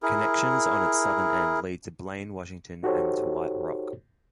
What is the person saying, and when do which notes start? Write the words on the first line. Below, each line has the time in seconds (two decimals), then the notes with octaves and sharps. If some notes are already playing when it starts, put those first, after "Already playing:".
Connections on its southern end lead to Blaine, Washington and to White Rock.
0.03 E4 G#4 A#4
2.83 D#4 F#4 G4 A4 C5 C#5